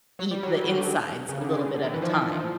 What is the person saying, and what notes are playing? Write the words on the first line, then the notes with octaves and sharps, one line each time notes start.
eat the insides a little bit at a time
F#3
G3
F#3
G3
D#3
D3
D3
C#3
D3
C#3
C#3
D3
D#3
E3
F3
F3